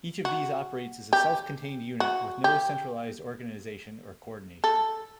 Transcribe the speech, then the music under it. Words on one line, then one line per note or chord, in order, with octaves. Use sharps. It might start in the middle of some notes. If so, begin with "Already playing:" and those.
Each of these operates as a self-contained unit, with no centralized organization or coordination.
F#4
G4
F#4
G4
A4